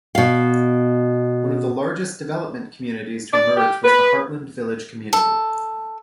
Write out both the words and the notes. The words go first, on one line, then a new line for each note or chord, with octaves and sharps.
One of the largest development communities to emerge was the Heartland Village community.
B2 F5
D5
G4
B4
A4